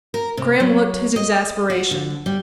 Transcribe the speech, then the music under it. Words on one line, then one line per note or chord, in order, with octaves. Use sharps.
Graham looked his exasperation.
A#4
C3
F#3
D#5
F#4
D3
G3